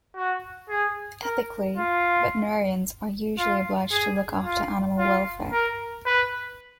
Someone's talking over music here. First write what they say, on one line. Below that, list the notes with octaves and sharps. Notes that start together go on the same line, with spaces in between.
Ethically, veterinarians are usually obliged to look after animal welfare.
F#4
G#4
A#4
F4
F4
G#4
F4
F4
A#4
B4